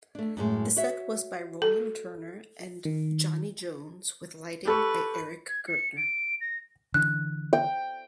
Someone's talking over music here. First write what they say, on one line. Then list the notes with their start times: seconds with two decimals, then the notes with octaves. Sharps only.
The set was by Roland Turner and Johnnie Jones with lighting by Eric Gertner.
0.15 A3 D4
0.37 F#2 A2 G#3
0.77 F#4 C#5 E5
1.62 A4
2.85 D#3
4.65 G4 A4 B4 C#6
5.49 G#6
5.68 C#7
5.97 D7
6.41 A#6
6.94 D3 E3 D4 F#6
7.53 G5